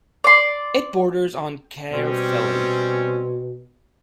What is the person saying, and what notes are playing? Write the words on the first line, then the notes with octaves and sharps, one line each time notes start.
It borders on Caerphilly.
D5 C6
B2 G3 C4 C#4